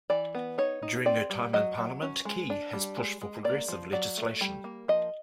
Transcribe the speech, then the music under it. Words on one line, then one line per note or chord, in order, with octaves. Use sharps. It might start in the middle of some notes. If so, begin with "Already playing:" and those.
During her time in parliament, Key has pushed for progressive legislation.
E3 D5
B3
D#4 C#5
D#4
C4 D5
G3
F#3 D#5
F#3
C#4
G#3
D4
G3
G#3
G#3
A#3 D5
F3
F#3 D5
A3
G3
A#3
F3 D#5